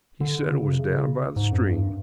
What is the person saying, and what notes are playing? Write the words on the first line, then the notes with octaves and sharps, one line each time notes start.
He said it was down by the stream.
D3
C#3
C3
C#3
G#2
F2
F#2
G2